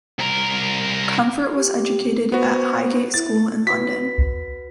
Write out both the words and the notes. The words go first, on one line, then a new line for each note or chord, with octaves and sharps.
Comfort was educated at Highgate School in London.
C2 A#4
G4
B3 F#4 C5
E4 A6
F#4 B4 B6